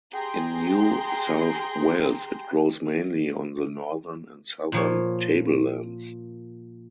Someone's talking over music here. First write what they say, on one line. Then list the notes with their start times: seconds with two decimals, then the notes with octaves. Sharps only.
In New South Wales it grows mainly on the northern and southern tablelands.
0.13 G4 G#4 G5 A#5 C6
4.72 A#2 F3 C#5